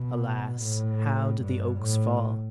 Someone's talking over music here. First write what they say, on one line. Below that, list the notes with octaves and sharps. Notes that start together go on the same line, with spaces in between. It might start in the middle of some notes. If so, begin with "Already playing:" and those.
Alas! how do the oaks fall?
Already playing: B2
A2
G2
A2